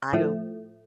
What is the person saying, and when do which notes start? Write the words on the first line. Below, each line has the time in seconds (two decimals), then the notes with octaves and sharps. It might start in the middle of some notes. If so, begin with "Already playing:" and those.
I don't
0.13 A2 F3 A3